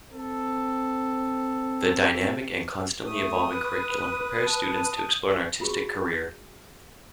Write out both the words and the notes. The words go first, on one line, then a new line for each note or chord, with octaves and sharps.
The dynamic and constantly evolving curriculum prepares students to explore an artistic career.
C4 A4
A3 D#6
B4
A5
F4 F#4 G#4 C#6